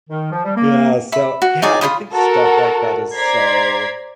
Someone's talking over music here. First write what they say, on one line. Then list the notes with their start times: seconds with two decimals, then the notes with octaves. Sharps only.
Yeah, so, yeah. I think stuff like that is so
0.09 D#3
0.32 F3
0.44 G3
0.56 A#3
1.12 E5 B5
1.42 F#4
1.62 D#4 G#4 C#5 D5
1.81 F4 C5 B5 D#6
2.13 F#4 A4 A#4
3.15 C5 D5 A#5 G#6 B6 C7